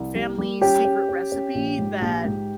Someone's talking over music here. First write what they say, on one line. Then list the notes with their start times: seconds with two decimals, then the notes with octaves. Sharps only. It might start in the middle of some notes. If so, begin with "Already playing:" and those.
family secret recipe that
Already playing: C2
0.15 G3
0.38 G3
0.61 C#4 G4
0.85 C#4
1.09 C#4
1.32 C#4
1.55 A#1
1.79 G#2
2.02 A#1
2.25 G#2